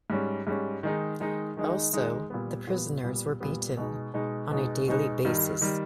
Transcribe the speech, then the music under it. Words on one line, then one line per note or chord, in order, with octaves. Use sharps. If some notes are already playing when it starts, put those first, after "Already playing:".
Also, the prisoners were beaten on a daily basis.
G#2 G3 C#4
G#2 G3 C#4
D#3 G#3 D#4
D#3 G#3 D#4
D#3 G#3 D#4
D#3 G#3 D#4
A#2 G3 B3
A#2 G3 B3
A#2 G3 B3
A#2 G3 B3
B2 G#3 D#4
B2 G#3 D#4
B2 G#3 D#4
B2 G#3 D#4
G2 D#3 G3
D#3 G3